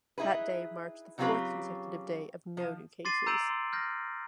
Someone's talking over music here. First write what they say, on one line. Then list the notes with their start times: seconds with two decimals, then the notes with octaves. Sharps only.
That day marked the fourth consecutive day of no new cases.
0.18 D#4 E4 G#4 B4
1.18 C#3 F#3 C4 F4 G4 B4
2.57 F3
3.05 C6 D6 A6 C7 D#7
3.26 A#5 E6 G6 D7 D#7 F#7
3.50 C6
3.73 F6 G6 A#6